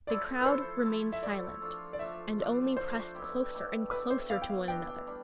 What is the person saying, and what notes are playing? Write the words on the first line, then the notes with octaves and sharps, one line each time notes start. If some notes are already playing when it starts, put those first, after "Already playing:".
The crowd remained silent and only pressed closer and closer to one another.
F3 A3 E4 A4 D5
B4
F3 A3 E4 A4 C5
F3 A3 E4 A4
E5
F3 A3 E4 A4 D5
F3 A3 D4 F4
D5
F3 A3 D4 F4 E5
F3 A3 D4 F4
F3 A3 D4 F4 C5
B2 A3 E4 G4
B2 A3 E4 G4
B2 A3 E4 G4 B4
C5
B2 A3 E4 G4 F5
G5
F5
E3 G3 D4 G5
G3 D4